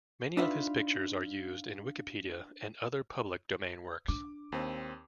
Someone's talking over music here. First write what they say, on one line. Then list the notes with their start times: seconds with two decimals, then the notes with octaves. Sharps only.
Many of his pictures are used in Wikipedia and other public domain works.
0.37 D4 D#4 F4 B4 E5 F#5
4.08 D4 D6
4.52 D#2 C4